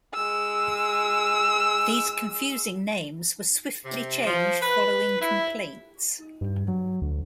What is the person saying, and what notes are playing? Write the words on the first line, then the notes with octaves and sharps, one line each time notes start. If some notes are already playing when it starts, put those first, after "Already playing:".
These confusing names were swiftly changed following complaints.
G#3 E6
C3
F3
B4
E4
G2
F#3
D2